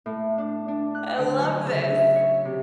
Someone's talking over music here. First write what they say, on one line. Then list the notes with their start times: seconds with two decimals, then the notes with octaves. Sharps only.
I love this.
0.06 A2
0.38 D4
0.68 D4
0.95 F#6
1.18 D3
1.40 F#3
1.65 C#3
1.81 E5
2.16 C#5
2.45 C3